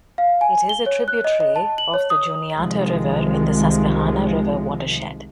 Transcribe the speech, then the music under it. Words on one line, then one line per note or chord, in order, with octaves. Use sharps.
It is a tributary of the Juniata River in the Susquehanna River watershed.
F5
G#5
G7
C#5
F#6
D#5
D#5
A5
F#7
C#5
D#6
C2 C3 D#3 F3 G#3